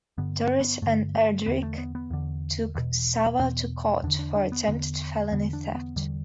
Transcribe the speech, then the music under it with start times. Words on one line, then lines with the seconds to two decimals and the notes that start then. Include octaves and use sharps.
Dorris and Erdrich took Sava to court for attempted felony theft.
0.18 G2 D3 B3
0.60 B3
0.82 G2 D3 A3
1.15 A3
1.46 E2 D3 B3
1.63 A3
1.78 B3
1.95 B3
2.10 E2 D3
2.75 E2 B2
3.39 E2 B2 B3
4.03 E2 D3 D4
4.19 D4
4.36 D4
4.52 B3
4.67 E2 D3 B3
5.32 E2 D3 B3
5.53 D4
5.75 B3
5.96 E2 D3 G3